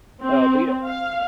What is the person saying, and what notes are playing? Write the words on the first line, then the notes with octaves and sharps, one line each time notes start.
Uh, but yeah. M
C4
F5